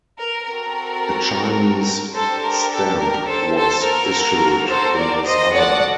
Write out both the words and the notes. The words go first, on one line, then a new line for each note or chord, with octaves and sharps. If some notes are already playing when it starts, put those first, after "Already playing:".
A Chinese stamp was issued in his honour.
A#4
C4 F#4 A4 A#4
D4 G4 A4 C5
A#4
A4
A#4
A4 C5
A4 C5
A#3 F#4 A4 A#4
A4 C5
A#4 D5
C5 D#5
D4 F#4 A4 D5 F#5